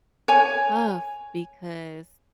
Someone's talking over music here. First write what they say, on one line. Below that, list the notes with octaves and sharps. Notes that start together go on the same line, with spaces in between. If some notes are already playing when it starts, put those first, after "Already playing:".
tough because
C#5 G#5